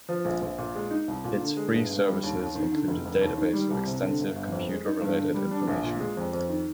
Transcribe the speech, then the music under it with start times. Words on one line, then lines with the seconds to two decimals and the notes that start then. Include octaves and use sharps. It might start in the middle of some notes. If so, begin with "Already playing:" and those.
Its free services include a database of extensive computer-related information.
0.09 F3
0.25 A#1
0.42 A#1
0.58 A#2
0.75 G#3
0.90 D#4
1.08 C2
1.24 A#2
1.40 D3
1.57 G#3
1.73 G1
1.90 G2
2.06 G3
2.23 D#2
2.39 D#2
2.55 D#3
2.72 D3
2.87 F1
3.05 F1
3.21 D#2
3.37 D#3
3.53 G3
3.70 C2
3.87 C3
4.03 D3
4.19 G1
4.36 G1
4.52 F2
4.69 G#3
4.86 D#4
5.01 G2
5.18 D3
5.34 G3
5.51 D4
5.68 A#1
5.83 A#2
6.00 G#3
6.17 F2
6.33 F2
6.49 D#3